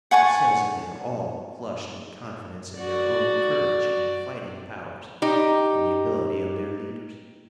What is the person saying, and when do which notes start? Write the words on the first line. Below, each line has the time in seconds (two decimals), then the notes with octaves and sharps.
He says that they are all flushed with confidence in their own courage and fighting powers and the ability of their leaders.
0.11 F#5 G#5 A5 C#6
2.79 F#4 D5
5.22 D#4 G4